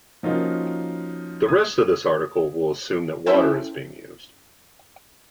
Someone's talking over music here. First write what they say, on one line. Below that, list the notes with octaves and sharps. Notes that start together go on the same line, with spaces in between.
The rest of this article will assume that water is being used.
F3 A#3 C#4 D#4 F4 F#4
D#6 G#6
C#4 E4 A4 C5 E5 G5